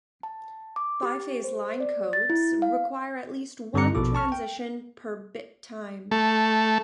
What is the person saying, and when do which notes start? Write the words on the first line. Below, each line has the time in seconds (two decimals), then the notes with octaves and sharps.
Biphase line codes require at least one transition per bit time.
0.23 A5
0.76 D6
1.03 G4
1.44 C5
1.80 D5
2.13 A6
2.30 E4
2.62 F5
3.74 G2 D3 C4 G4 A#5 C#7
3.95 A#1 B2 A4 D6
4.15 A5 C#6 F6
4.32 G5
6.11 A3